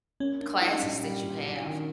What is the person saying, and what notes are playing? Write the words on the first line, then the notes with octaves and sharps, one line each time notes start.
classes that you have."
A#3 C#4
A#3 D4
G3 E4
D#4
A#2 D4
D#4
G3
A#2
F#3
D#3